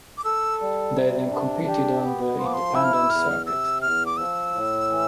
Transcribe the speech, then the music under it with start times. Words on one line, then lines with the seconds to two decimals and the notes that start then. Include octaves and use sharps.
They then competed on the Independent Circuit.
0.18 D6
0.24 A4 E6
0.61 G3
0.96 C3
1.32 D4
1.68 G4
2.04 B3
2.39 F3 C6
2.46 D6
2.54 C6
2.74 E4 E6
2.84 F6
2.93 E6
3.10 E2 F6
3.46 C3 E6
3.82 E2 F6
4.06 D6
4.17 F3 E6
4.53 A2
4.90 E3